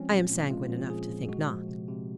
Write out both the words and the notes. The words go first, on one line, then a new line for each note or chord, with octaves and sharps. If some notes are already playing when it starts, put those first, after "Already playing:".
I am sanguine enough to think not.
Already playing: F3 G#3 C4 C#4
A#2
A#2
G#3 F4
F3
A#2 G#4
A#2
G#3 F#4
F3
C3
C3